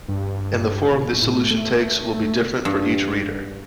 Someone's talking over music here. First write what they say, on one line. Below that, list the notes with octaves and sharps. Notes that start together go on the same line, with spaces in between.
And the form this solution takes will be different for each reader.
G2
D#1
A2
A3
G2